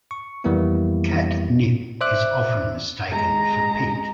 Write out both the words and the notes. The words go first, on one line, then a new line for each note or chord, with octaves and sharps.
Kat Nipp is often mistaken for Pete.
C#6
F2 E3 G3 A#3 B3 E4
C5 D5 E5 D6 F#6
G#3 A#5